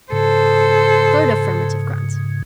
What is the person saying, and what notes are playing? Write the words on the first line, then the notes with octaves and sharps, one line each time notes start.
Third affirmative grunt.
G#2 C#3 A4 C5